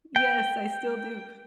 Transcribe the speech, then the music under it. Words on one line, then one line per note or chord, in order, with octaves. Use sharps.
Yes, I still do,
G5